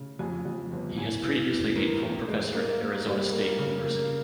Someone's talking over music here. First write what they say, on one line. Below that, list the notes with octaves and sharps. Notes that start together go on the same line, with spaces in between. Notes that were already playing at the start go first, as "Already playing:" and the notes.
He has previously been full professor at Arizona State University.
Already playing: C#3
F2 G#5
F2
G1
E3 G#5
E3
E3
E2 A#4
E2
G#3
A#3
A#3
G3
A#3
C#3
A#3